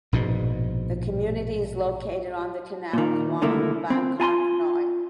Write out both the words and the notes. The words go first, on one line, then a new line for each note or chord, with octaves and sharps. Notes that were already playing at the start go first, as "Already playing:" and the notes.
The community is located on the canal Khlong Bangkok Noi.
A#1 G#2 B2
A#2 D#3
C2 D3 D#3 A3 A#3 E4
C4
F4 G#5 A#5 C6